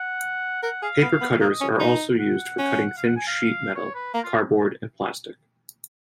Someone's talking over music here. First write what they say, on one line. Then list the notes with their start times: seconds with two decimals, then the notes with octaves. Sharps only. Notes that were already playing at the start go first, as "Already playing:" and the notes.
Paper cutters are also used for cutting thin sheet metal, cardboard, and plastic.
Already playing: F#5
0.63 A#4 F#5
0.83 G#4 F5
1.02 B3
1.21 B3
1.41 A#3 D#5
1.61 C#4
1.80 D#4
2.19 F#5
2.58 C#4
2.97 F5
3.07 F#5
3.16 G#5
3.27 F5
3.76 C#5
3.95 B4
4.14 A#3 A#4
4.24 F4